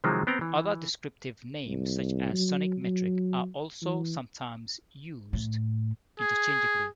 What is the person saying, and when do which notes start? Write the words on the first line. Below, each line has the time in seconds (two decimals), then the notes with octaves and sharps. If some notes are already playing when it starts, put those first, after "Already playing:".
Other descriptive names such as sonic metric are also sometimes used, interchangeably.
0.04 C3 D#3 F3 F#3 G#3 C4
0.27 B3 C4 G5 A#5
0.41 E3
1.66 C2
2.33 F#3
2.82 F#3
3.82 E3
5.33 A2
6.20 G#4